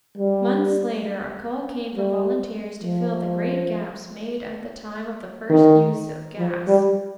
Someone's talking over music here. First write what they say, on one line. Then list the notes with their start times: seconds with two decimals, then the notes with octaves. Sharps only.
Months later a call came for volunteers, to fill the great gaps made at the time of the first use of gas.
0.17 G3
1.95 G3
2.84 F3
5.50 D#3
6.38 F3
6.68 G3